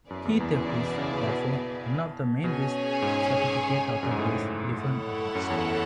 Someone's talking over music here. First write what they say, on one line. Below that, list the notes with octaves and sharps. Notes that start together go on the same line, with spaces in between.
Key theft is therefore one of the main risks certificate authorities defend against.
F#2 B3 E4 G#4 D5
E2
E2
F#2
E2
B2
C#3
C#3
B2
B2 C#4 G#4 C#5 G#5
G#2
F#2
G#2
A2
E4 A4 C#5 F#5
F#2
E2